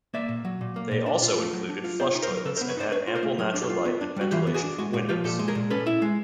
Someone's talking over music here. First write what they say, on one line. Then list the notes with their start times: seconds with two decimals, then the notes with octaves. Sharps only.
They also included flush toilets and had ample natural light and ventilation from windows.
0.14 A#3 D5 E5
0.29 A#2
0.45 F#3
0.61 A#2
0.76 A#3
0.91 A#2
1.06 D4
1.22 F4
1.38 A3
1.53 F#3
1.69 D4
1.84 F4
2.00 B3 C5 D5
2.15 D#4
2.23 A#4 C5
2.31 F#3
2.37 A#4
2.45 C#3 A4 B4
2.57 A#4 C5
2.61 B3
2.68 B4 C#5
2.77 D#4 C5 D5
2.92 D4 B4 C#5
3.07 F4
3.16 A#4 C5
3.23 A3
3.38 F#3 G#4 A#4
3.54 D4
3.61 G4 A4
3.69 F4
3.85 B3
4.01 D4
4.16 G3 F#4
4.31 E3 F4 G4
4.47 B3
4.54 F#4 G#4
4.63 D4
4.78 G#3 F#4
4.93 A#2 F#4
5.09 F3 F4 G4
5.24 A#2 G4 A4
5.39 G#3
5.48 G#4 A#4
5.55 A#2
5.70 C#4 A4 B4
5.87 E4
6.02 G#3